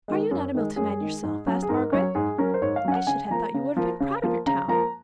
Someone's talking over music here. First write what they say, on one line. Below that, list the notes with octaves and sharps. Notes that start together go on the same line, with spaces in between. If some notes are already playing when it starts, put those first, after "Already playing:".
'Are you not a Milton man yourself?' asked Margaret. 'I should have thought you would have been proud of your town.'
D#3 G#3
F#2
D#3 G#3
F#2 G#4
D#3 G#3
G#2
F#3 C#4
G#4
G#2 A#4
F#3 C#4 C#5
G#2 G#4
F#3 C#4 A#4
C5
G#2 C#5
F5
F#3 C#4 G#5
F#5
C#3 G#5
G#5
F3 A#3 A#5
C#3
F3 A#3
C#3
F3 A#3
C#3 A#5
F3 A#3 A#5